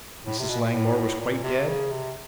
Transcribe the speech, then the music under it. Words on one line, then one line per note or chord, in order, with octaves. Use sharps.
"Mrs. Langmore was quite dead?"
A2
C3
B2
A#2
A2
A#2
C3
C#3
C3